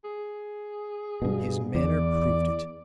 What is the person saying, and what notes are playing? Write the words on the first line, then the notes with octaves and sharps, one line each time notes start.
His manner proved it.
G#4
G2 B2
E2 D5